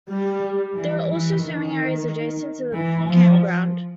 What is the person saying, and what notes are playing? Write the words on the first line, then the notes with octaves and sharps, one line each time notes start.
There are also swimming areas adjacent to the campground.
G3
E3
E3
D#3
E3
F3